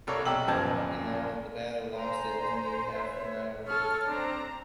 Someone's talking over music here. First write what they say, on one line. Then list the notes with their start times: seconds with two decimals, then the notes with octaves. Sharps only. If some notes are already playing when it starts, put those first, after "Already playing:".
All in all, the battle lasted only half an hour.
0.07 C2 A4 A#4 C#5 D5
0.25 B1 G4 E6 F#7
0.47 D1 F#2 F3 A5 G6 G#6
1.96 C5 G#5 A#5
2.91 B4 C#5 E5
3.67 A4 C#5 F6
4.08 C4 D4 A#5